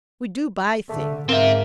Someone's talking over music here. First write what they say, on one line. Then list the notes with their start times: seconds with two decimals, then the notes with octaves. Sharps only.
We do buy things.
0.89 D3 A3
1.29 G#2 A#3 C4 E5